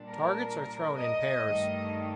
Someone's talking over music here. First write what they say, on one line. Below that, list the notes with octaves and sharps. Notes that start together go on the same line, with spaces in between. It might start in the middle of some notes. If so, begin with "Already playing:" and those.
Targets are thrown in pairs.
Already playing: A#2 G3 D4
A#4
D#5
G2 D#3 A3